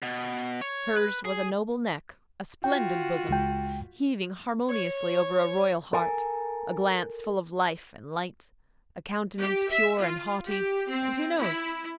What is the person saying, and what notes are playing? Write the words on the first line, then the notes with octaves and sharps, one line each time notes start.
Hers was a noble neck, a splendid bosom, heaving harmoniously over a royal heart, a glance full of life and light, a countenance pure and haughty, and who knows?
B2
C#5
B4
G#4
F4 F#4 G5
C#2 G#3 G5
C#5
A4 A#4 G#5
G4
E5
F4
G4
C4
E4